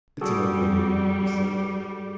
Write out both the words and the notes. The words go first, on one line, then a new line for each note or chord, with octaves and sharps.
"It's an ugly name," he said.
G3 F#4 G#4 A4